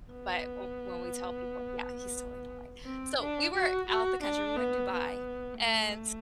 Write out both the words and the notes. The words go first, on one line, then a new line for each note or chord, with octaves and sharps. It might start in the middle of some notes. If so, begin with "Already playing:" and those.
but wh when we tell people yeah, he's totally not right. So we were out the country, we were in Dubai, and
B3
C4
D4
F#4
F#4
D4
B3
B3
A3